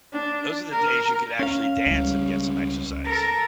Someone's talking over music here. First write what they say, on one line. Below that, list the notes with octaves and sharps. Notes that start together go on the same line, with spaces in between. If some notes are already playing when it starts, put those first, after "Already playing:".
Those are the days you could actually dance and get some exercise.
D4
A#4
C#4 F5
C#2 G3
A4 A#4